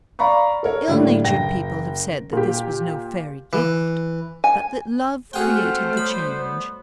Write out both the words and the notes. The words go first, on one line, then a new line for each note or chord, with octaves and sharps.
Ill-natured people have said that this was no fairy-gift, but that love created the change.
D5 F5 A#5 B5 C#6
A4 A#4 C#5
A2 D3 G3 A3 A#3
F#1 G5 A#6
A#2 G4
E3
G#5
A3 C4 F#4 G#4 C5 F#5 G5 F6
F#3 G3 B3 B5